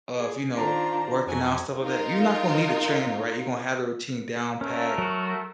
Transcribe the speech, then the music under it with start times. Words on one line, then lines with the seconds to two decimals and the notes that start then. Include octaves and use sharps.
of, you know, working out stuff like that, you're not gonna need a trainer, right? You're gonna have a routine down pat,
0.17 G#4
0.55 D#3 D4 F4 C5 A#5
1.27 F2 F#3 G#5
1.82 D#4 F4 A#4
4.61 A3 C#4 A#4
4.98 F#3 F#4